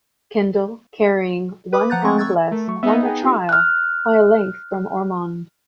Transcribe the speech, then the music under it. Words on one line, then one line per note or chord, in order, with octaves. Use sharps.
Kendal, carrying one pound less, won the trial by a length from Ormonde.
B4 B5 D6 D#6
F3 F#5 A#5 F#6 G6 A6
A3 C4 C#6
C#6 E6 F#6 G#6 A6
A3 A#4
F#3 C#6
B3 D#4 E5
G#4 G5 G#5
C4 F4 G4
F6 F#6